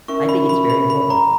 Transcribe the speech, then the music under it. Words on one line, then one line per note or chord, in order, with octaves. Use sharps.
I think it's very important.
C#4 E4 A#4 E5 C#6
B5
B5
B5
B5
A#5